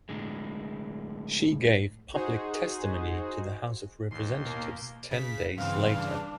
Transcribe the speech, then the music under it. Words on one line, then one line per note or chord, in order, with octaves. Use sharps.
She gave public testimony to the House of Representatives ten days later.
A2 D3 G#3
D#4 F#4 G#4 C5
A1 D#2 C6 C7
B2 A#3 A#4
C#3 B6
G2 C#3 E3 C4 F5
D4